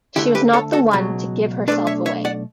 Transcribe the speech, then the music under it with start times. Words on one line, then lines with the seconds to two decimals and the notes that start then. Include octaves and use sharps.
She was not the one to give herself away.
0.16 D2 D3 A3 E4 G4
0.35 G4 B4
0.53 A4 C#5
0.73 F#4 A4
0.91 C#2 B2 F#3
1.68 B1 B2 A3 D4 B4 D5
1.87 C#5 E5
2.06 C#5 E5
2.25 D5 F#5